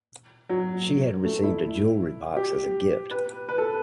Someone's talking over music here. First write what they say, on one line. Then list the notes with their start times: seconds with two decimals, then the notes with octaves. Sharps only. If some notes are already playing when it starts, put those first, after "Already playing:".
She had received a jewelry box as a gift.
0.49 F#3
1.25 A3
1.43 E4
2.36 G4
3.11 B4
3.49 B4
3.58 A4